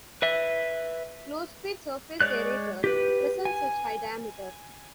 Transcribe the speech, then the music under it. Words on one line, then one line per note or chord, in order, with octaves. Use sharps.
Low speed surface aerator present such high diameter.
B4 E5
G#3 C#5 D5 F#6
G4 B4
G#5